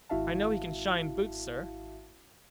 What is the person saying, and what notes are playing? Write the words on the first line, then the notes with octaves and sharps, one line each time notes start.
"I know he can shine boots, sir."
G#1 E4 F#4 E5 F5 A5